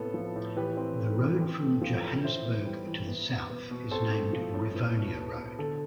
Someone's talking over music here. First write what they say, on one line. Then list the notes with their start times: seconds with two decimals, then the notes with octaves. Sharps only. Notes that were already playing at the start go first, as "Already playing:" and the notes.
The road from Johannesburg to the south is named Rivonia Road.
Already playing: A2 C3 B3 A4
0.14 F3
0.36 A2
0.56 E3 G4 B4
0.77 C4
0.98 A3
1.19 E3
1.41 C4
1.61 A3
1.82 F3
2.03 A2
2.24 E3 C5 E5
2.45 B3
2.65 G3
2.87 E3
3.08 B3
3.29 B2
3.50 B3
3.71 B2
3.91 C4 A4 C5
4.13 A3
4.33 F3
4.54 A2
4.75 B3
4.97 B2
5.17 B3
5.38 B2
5.59 D3 A4